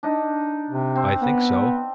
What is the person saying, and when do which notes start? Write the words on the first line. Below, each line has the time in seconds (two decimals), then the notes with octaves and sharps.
I think so.
0.03 D4 D#4
0.70 C3
0.96 C4
1.22 B3